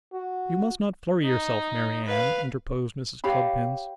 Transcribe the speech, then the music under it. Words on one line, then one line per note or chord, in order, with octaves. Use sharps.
'You must not flurry yourself, Mary Ann,' interposed Mrs. Cluppins.
F#4
D#4
B4 F5
G4 C#5 F5 B5